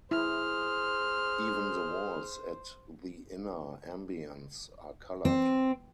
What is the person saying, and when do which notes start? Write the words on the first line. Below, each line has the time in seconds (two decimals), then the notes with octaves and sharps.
Even the walls at the inner ambience are coloured.
0.11 E4 G#4 C5 F6
5.25 C4